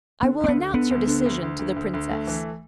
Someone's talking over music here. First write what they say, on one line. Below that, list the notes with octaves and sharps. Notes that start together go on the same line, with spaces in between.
I will announce your decision to the Princess.
D3 B3
D2 C4
B3
D3
D3 B3
D2
D3
D2
D2
D2
D2
D2
A3
E3